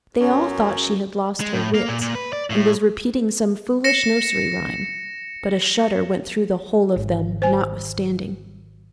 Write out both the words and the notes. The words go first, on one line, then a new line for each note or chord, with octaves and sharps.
They all thought she had lost her wits, and was repeating some foolish nursery rhyme; but a shudder went through the whole of them notwithstanding.
F#2 C#4
G#3
A2
A#3
A#2
A#2
B4
D5
A2
A#6 C#7 E7
G#1
C5 G#5